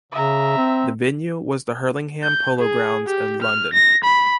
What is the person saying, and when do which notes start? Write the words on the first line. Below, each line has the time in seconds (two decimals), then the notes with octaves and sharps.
The venue was the Hurlingham Polo Grounds in London.
0.12 C#3 E5 A#5
0.57 C4
2.23 G6
2.59 G#4
3.07 G4
3.42 F6
3.73 A#6
4.04 B5